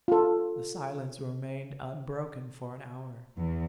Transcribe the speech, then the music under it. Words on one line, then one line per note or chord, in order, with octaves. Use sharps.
The silence remained unbroken for an hour.
F4 A4
E2